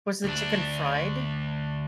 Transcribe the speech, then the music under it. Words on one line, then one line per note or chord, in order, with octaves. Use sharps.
Was the chicken fried?
D2 D4